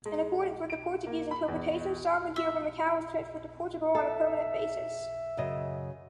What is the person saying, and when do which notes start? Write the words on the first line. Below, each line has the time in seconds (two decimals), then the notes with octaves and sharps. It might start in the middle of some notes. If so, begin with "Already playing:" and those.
In accordance with the Portuguese interpretation, sovereignty over Macau was transferred to Portugal on a permanent basis.
0.06 G#3
0.70 D7
1.06 A#3
1.31 B5
1.48 E2
2.36 E5
3.95 A4 E5
5.37 F#2 C#3 D#5